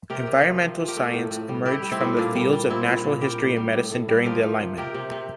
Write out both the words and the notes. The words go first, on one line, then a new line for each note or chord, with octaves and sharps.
Environmental science emerged from the fields of natural history and medicine during the Enlightenment.
C3 G4 A#4
C3
F3
C3
F3
G4 A#4
A3
A2
A2
G3
G3 E4 G4
G3
C4 E4
A2
A#2 A#3 D4
G3
G3
A#2 C4 E4
A#2
A#2
G3 G4 A#4
A2
G3
A2
A2
G3
A4
F3 G4 A#4
F3
C3
C3 G4 A#4
C3
C3